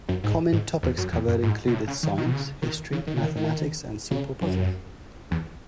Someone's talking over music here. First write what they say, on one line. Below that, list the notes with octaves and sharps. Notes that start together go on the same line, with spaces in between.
Common topics covered included science, history, mathematics, and simple puzzles.
F#2
G#2
G#2
E2
F#2
E2
F#2
G#2
B2
A2
C#3
D#3
D#3
B2
C#3
D#3
C#3
D#3
C#3
D#3
D#3
C#3
F#2
E2